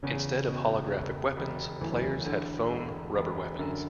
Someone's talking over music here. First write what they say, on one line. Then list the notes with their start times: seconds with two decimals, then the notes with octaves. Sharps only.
Instead of holographic weapons, players had foam-rubber weapons.
0.03 E2 C#3
0.47 B2
0.92 E1
1.36 E1
1.81 D2 E3
1.91 F#3
2.02 E3
2.26 D3
2.70 E1
3.15 E1
3.59 F#2 D3